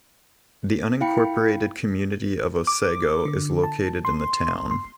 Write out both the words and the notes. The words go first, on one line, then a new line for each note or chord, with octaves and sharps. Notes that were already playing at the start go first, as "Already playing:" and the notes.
The unincorporated community of Otsego is located in the town.
E4 F5 G5 B5 C#7
D6
D3
A5
C6
C6